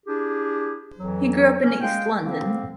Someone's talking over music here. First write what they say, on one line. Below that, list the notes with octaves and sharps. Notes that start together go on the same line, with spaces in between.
He grew up in East London.
D4 E4 G4 G#4
F2 E3 F#3
C#4
G#3 F5 G5
D3 F3 A#3 C4